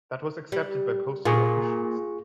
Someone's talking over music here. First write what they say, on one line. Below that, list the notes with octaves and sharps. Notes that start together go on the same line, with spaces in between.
That was accepted by postal officials.
G3
A#2 F4 G#4 C#6